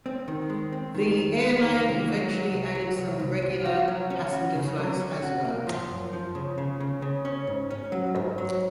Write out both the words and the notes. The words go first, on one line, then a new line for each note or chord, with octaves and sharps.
The airline eventually added some regular passenger flights as well.
C4
D#3
G#3
C4
D#3
F2
G#3
D#3
C2
F#3
F#3
C2
F#3
C2
C2
C2
F#4
F#3
C#4
F#4
C#3
F#3
C#4
F#4
A#3
F3
F#2
F3
C#3
C#3
C#3
C#3
C#4
G#2
C#4
F#3
G#2
F#3